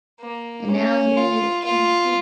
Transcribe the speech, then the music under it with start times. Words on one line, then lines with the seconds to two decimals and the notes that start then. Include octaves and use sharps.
And now you're in the field.
0.21 A#3
0.69 C#4
1.17 F4
1.64 F4